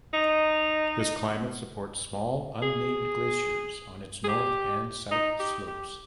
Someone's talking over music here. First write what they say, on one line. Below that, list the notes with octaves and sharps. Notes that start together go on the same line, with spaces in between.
This climate supports small unnamed glaciers on its north and south slopes.
D#4
G#4
G#4
G4
D#4
G4
G4